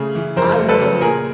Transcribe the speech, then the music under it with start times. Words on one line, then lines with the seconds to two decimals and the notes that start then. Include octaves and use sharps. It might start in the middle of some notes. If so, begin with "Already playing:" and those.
I love,
Already playing: C#3 A3 G#4
0.15 E3
0.36 F2 A#4 C5
0.58 A3
0.69 A4 B4
0.80 C#3
1.01 A#2 G#4 A#4